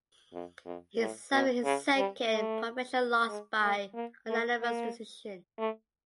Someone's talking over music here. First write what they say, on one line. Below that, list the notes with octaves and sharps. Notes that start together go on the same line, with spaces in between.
He suffered his second professional loss by unanimous decision.
F2
F2
A2
B2
C#3
G3
A3
G#3
A3
A#3
A3
A#3
A3